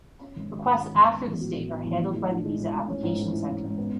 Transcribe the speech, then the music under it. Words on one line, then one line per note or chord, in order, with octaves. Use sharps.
Requests after this date are handled by the visa application centre.
C#4
G#1
F#3
G#2
C#4
G#1
B3
A1
F#3
A2
B3
A1
A2
A2
D4
G#3
A2
A2
C#4
G#2
A3
E3
C#4
G#2
B3